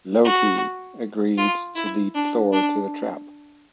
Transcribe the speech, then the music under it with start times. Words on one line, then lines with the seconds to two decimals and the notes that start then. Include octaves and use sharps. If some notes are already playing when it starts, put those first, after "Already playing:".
Loki agreed to lead Thor to the trap.
0.24 F#4
1.38 F4
1.75 E4
2.15 D4
2.52 D4